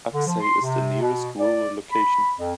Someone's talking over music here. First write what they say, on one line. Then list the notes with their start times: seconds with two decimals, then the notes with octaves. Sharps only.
Aksay is the nearest rural locality.
0.13 D3
0.26 F3
0.40 C6
0.61 C3
1.00 B2
1.39 D5
1.91 B5
2.36 F2